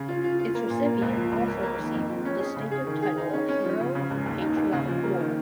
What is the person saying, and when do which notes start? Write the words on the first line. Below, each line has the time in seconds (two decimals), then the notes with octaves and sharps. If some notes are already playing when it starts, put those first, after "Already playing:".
Its recipient also received the distinctive title of Hero of the Patriotic War.
Already playing: C#3
0.08 F4
0.24 F4
0.39 F4
0.55 A#3
0.70 A#2
0.86 A#3
1.02 C#2
1.17 F3
1.32 C#2
1.48 A#3
1.63 A#3
1.79 D#3
1.94 F2
2.09 F3
2.25 C#4
2.40 G#4
2.56 C#3
2.71 G#4
2.87 D#3
3.02 G#4
3.18 D#4
3.33 C#4
3.49 C#4
3.64 F3
3.80 C#3
3.95 C#3
4.10 C#2
4.26 D#2
4.42 D#4
4.57 D#2
4.72 C#3
4.88 F3
5.03 A#3
5.19 D#3